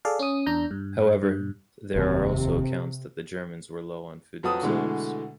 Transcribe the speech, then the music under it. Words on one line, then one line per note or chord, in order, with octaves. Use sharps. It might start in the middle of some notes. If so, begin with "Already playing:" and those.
However, there are also accounts that the Germans were low on food themselves.
G#4 A4 D5 F5
C#4 D#6
E2 D4 A#5 G6
G2
G2
F1 D#2 C3
F2 F#3 F#4 B4 A5 D#6
B2 D3 E3 G#3 A3